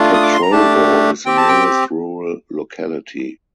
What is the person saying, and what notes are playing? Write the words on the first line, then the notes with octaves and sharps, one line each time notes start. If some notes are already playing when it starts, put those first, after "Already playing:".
Petrovo is the nearest rural locality.
Already playing: A3 D4 F4
D#6
D6
C6
A#5
A3 D4 G4 A5
C4 G4 G5
A5
G5